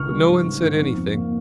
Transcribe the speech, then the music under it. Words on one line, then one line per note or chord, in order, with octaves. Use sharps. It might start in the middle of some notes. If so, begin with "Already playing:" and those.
But no one said anything.
Already playing: C#2 C#6 F6
G3
G#2
G#2
G#2
F2
F2
A#3